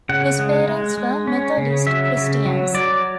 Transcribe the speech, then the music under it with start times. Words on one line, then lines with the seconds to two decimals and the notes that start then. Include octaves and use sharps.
His parents were Methodist Christians.
0.09 C#3 F#5
0.39 G#3
0.68 G#3
0.98 G#3
1.27 C#4
1.57 C#3
1.86 F#3 E5
2.17 C#3
2.45 F#3
2.74 F#3 D5